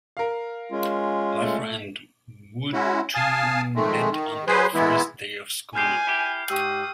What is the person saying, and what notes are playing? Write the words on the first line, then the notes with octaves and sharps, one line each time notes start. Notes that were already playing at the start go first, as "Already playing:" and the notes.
Laffer and Wootton met on their first day of school.
A#4 F5
G#3 C#4 F4
A3
G#3 C#4 E4 F#4
F5 G#5 A5 D#6
F2 D#3 G#3 A3
D#3
F#3 G#4 B4 C5
E3 G#3 B3 E4
B2 G#3 G4 G#5 F6 G6 C7
E4 G4
G#2 G4 C#6 D#6 E6